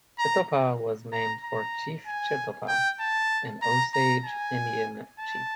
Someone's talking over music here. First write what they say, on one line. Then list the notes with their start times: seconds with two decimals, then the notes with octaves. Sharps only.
Chetopa was named for Chief Chetopah, an Osage Indian chief.
0.19 A#5
1.12 A#5
1.44 A#5
2.07 G#5
2.68 G5
3.00 A5
3.62 A#5
3.94 A#5
4.25 G#5
5.19 A5